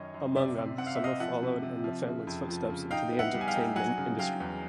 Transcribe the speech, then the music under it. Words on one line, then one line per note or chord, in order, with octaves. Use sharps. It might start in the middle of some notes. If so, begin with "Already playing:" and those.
Among them, some have followed in the family's footsteps into the entertainment industry.
Already playing: F#2 D#3 C#4 C#5 D#5
F#2
C3 D5 E5
C4
C4 F#5
F5
E5
C4 D#5 F5
F3 E5 F#5
C3
C3
F3
C#3
F2
F3
C#3
D#4 F5 G5
B3
E5 F#5
G3
G#5
F5 G5
D#4
F#3 F#5 G#5
C#3
F#3 F5 G5
E2